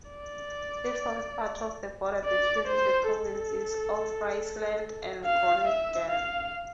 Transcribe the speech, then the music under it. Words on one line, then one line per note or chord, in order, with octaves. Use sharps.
It forms part of the border between the provinces of Friesland and Groningen.
D5
D5
C5
A4
F5
E5
F5